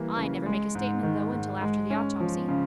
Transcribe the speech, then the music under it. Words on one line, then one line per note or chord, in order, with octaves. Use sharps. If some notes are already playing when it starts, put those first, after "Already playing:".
I never make a statement, though, until after the autopsy.
Already playing: E3 G3 A#3
C#3
G#3
G#2
D#3
G#2
G#3
C#4
F3
C#3